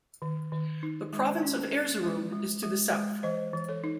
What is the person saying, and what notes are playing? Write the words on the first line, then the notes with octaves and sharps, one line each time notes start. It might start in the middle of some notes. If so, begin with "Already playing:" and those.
The province of Erzurum is to the south.
D#3
D#3
D#4
G#3
C#4
C#4
G#3
G#3
G#3
G#3
E3 C5 D#5
E3
A4 C#5
D#4